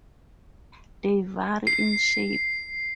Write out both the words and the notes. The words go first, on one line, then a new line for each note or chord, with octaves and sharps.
They vary in shape.
C7